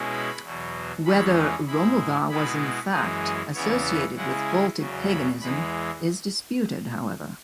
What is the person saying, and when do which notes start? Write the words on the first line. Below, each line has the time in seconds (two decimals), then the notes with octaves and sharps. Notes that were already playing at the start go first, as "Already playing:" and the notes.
Whether Romuva was in fact associated with Baltic paganism is disputed, however.
Already playing: B2 G#3 C#4 E4
0.12 B5
0.43 E2 B2 F#3
1.05 E2 E3 G#3 C#4 B5
1.67 G#2 G#3 E4 B5
2.29 B2 G#3 B3 E4 B5
2.91 F#2 E3 G#3 G#4
3.22 G#4
3.54 E2 C#3 E3 B3 E4 C#5
3.85 E5
4.16 C#3 G#3 E4 F#5
4.48 G#5
4.78 E2 C#3 F#3
5.09 B5
5.41 E2 E3 G#3 B5